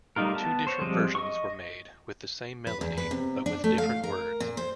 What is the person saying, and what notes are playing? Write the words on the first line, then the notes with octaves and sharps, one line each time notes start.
Two different versions were made with the same melody but with different words.
G3 A3 D#4 F4 A#4
B3 A5
C5 C#5
F3 G3 G#3 C4 D#5
D#5 C#6
B4
E2
B4
C3
D4
A3
F5
A#4
A#2
C5